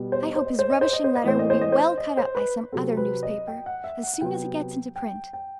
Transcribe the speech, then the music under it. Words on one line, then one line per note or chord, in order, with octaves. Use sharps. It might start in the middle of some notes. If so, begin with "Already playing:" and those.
I hope his rubbishing letter will be well cut up by some other newspaper as soon as it gets into print!
Already playing: B2 G3 B3
C5
D#5
C5
D#5
C5
D#5
C5
D#5
C5
D#5
A2 E3 A3 C4 C5
D#5
C5
D#5
C5
D#5
C5
B4
C3 F#3 C4 A4
B4
D#5
G5
F#5
E5
F#5
F#5
C3 F#3 B3 G5
G5
G5